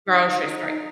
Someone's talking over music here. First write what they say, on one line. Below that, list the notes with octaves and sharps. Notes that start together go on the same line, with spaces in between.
grocery store
D#4